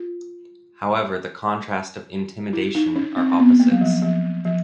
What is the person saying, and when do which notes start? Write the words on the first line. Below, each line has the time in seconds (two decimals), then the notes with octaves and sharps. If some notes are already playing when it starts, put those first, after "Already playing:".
However the contrast of intimidation are opposites.
Already playing: F4
2.53 E4
2.75 D#4
2.96 C#4
3.17 C4
3.31 C4
3.39 B3
3.60 A#3
3.71 F#3
3.81 F3
4.02 F3
4.45 F3